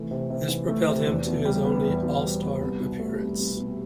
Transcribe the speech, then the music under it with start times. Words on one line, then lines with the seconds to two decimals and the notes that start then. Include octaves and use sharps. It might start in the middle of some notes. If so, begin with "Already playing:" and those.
This propelled him to his only All-Star appearance.
Already playing: C3 E3 A3
0.11 C3
0.30 C3
0.48 E3
0.68 A3
0.88 C3
1.07 E2
1.26 B2
1.45 G3
1.64 B3
1.84 E2
2.03 B2
2.23 G3
2.41 B3
2.61 C2
2.80 B2
2.99 A3
3.19 C2
3.38 C2
3.57 B2